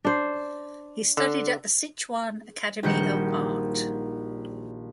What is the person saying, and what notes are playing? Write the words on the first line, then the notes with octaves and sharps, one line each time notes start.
He studied at the Sichuan Academy of Art.
D4 C5
D3
A#1 D#3 G3 F#4 G6 C#7